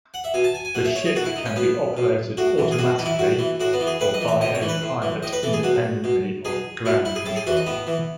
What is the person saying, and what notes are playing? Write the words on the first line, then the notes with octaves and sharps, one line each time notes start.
The ship can be operated automatically, or by a pilot independently of ground control.
F#5
E5
B2 G#5
A5
G#5
G#5
B2 F#5
E5
C#5
G#4
B2 F#4
E4
D#4
C#4
B2 B3
B2
A2 F#4
E3
G#4
A2 F#4
E3 D#4
E4
A2 F#4
E3
A2 F#4
B3
E3
G#4
A2 B4
D#5
E3
E5
A2 D#5
C#5
E3
B4
A2
E3
A2 D#5
B4
E3 A4
G#4
B2 F#4
B2
B2 G#4
B2 E4
E4
G#4
A2 A4
G#4
E3 F#4
D#4
A2 B3
E3